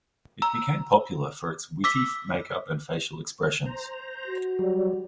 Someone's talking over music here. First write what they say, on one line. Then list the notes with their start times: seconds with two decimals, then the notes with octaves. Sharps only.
It became popular for its witty makeup and facial expressions.
0.42 A#5 E6
1.84 D6 E6 B6 G7
3.66 C5 A#5
4.27 F#4
4.59 F#3 G3